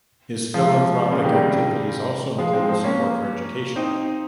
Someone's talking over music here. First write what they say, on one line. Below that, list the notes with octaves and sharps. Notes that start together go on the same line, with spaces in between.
His philanthropic activities also included support for education.
F3 G#3
C3
A#2 C#3
C3 D#3
D#3 G3
F3 G#3
G#3 C4
G#3 C4
A#3 C#4
C4 D#4